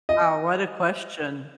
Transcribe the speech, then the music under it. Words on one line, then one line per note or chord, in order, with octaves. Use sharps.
Oh, what a question.
D#5